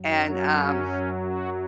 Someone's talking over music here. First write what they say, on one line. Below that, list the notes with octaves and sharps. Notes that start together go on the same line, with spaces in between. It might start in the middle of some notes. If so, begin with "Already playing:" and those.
and um
Already playing: F#2 F#3
C#4
F#4